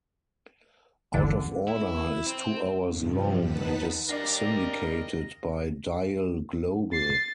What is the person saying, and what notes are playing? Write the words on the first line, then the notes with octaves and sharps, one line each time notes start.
"Out of Order" is two hours long and is syndicated by Dial Global.
G1 D#2 D3 E3
E4
C4
G2 C3 F3
D#2 D#4 B4 F#5 A5 B6
G3 D4 A#4 D5 D#5 F5
A6 C7